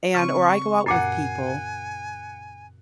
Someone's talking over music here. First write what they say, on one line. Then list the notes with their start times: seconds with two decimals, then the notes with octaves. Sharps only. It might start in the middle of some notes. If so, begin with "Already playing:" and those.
and or I go out with people
0.15 C#3 C4 C#6
0.86 F#2 A#2 F#5 G#5 C7